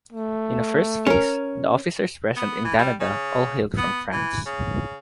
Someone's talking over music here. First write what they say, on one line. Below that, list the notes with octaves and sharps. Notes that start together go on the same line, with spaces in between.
In a first phase, the officers present in Canada, all hailed from France.
A3
C#4 A#4
B3
E3
G3
C#3
B3
E3
C#3